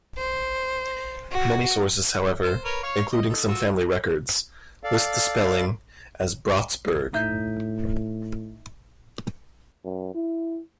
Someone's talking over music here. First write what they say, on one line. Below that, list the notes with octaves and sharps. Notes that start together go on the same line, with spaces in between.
Many sources, however, including some family records, list the spelling as "Bratsburg".
C5
F#4
C5
A#4 B4 C#5
C#5 F5 C#6
D#5
D#4 A4
F4 F#4 E6
A4 D5 F5
A2 D#4 E5 G6
F#2
E4